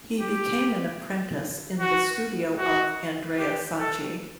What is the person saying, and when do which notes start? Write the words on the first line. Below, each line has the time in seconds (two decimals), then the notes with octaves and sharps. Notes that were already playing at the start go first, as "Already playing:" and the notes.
He became an apprentice in the studio of Andrea Sacchi.
0.20 G4
1.80 F#4
2.59 F#4
3.39 G4
3.79 A4